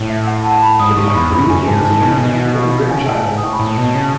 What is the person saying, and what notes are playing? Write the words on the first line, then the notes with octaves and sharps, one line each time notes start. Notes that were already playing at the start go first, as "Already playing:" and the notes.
They have three adult children and one grandchild.
Already playing: A2
E5
F#5
A5
B5
G#2 D#6
G#2 C#6
C#6
E2 B5
F#2 B5
F#2 G#5
G#2 A5
G#2 A5
A5
B2 G#5
C#3
B2 F#5
C#3
A2
G#2
D#6
A2 C#6
B5
A2 A5
B2
A5
C#3